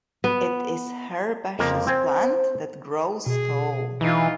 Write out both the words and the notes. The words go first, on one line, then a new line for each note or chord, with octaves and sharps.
It is herbaceous plant that grows tall.
B3
F2 C#3 F3 A#3
C4 C5 G5 G#5
B2 G#4
E3 D#4 F4